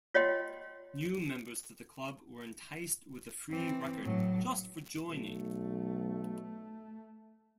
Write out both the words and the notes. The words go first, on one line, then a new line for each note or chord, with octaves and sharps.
New members to the club were enticed with a free record just for joining.
F4 C#5 D#5 F#5 G5 C6
E3 C4
A2 F#3
B1 A3